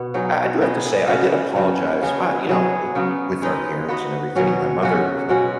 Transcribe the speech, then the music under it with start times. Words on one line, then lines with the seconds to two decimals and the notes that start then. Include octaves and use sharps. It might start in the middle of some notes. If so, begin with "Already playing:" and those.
I I do have to say, I did apologize, uh, you know, eh, with our parents and everything. My mother
Already playing: B2 B3
0.14 F#3 D#4 G#4
0.61 B3 D#4 G#4 D#5
1.08 C#3 B3 F#4
1.55 C#3 F#3 B3
2.02 C#3 B3 G#4 D#5
2.49 F#3 B3 G#4
2.95 C#3 F#3 B3 F#4
3.42 G#3 D#4 B4 D#5
3.88 B3 F#4 B4 D#5
4.35 B2 F#3 C#4
4.82 C#3 F#3 C#4 F#4
5.29 B2 G#3 C#4 F#4